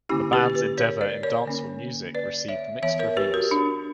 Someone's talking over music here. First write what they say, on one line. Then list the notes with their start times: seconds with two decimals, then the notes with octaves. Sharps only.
The band's endeavor in dancehall music received mixed reviews.
0.09 D3 A#3 C#4 E4 G4
0.33 G4 B4
0.54 G4 B4
0.78 A#4 C#5
1.01 B4 D5
1.23 A#4 C#5
1.46 D3 A#3 C#4
2.15 B4 D5
2.48 C#5 E5
2.82 E3 B3 C#5 E5
2.99 A#4 C#5
3.17 G4 B4
3.34 F#4 A#4
3.51 D4 F#4